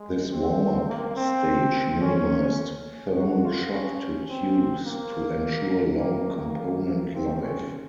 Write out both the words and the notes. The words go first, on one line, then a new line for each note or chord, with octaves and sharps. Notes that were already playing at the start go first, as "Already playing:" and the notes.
This warm-up stage minimized thermal shock to tubes to ensure long component life.
Already playing: G#3
C4
A#3
C4
C#4
F#4
F4
C#4
C4
A#3
A#3
A#3
C4
C#4